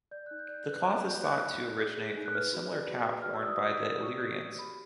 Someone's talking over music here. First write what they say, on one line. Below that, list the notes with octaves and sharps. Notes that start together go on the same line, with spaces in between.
The cloth is thought to originate from a similar cap worn by the Illyrians.
D5 G6
F#6
D#4
G6
D5
G6
B4 F#6
D5 F6
D5 G6
D#4 F#6
D#4
D#4
G#4 G6
G#4
D#4
F#6
B4 F6
F#4
D5
F#4
F#4
F6
D5
E6
D5 D#6
F#4
D5
F#4 C#6
F#4
F#4
G4 B5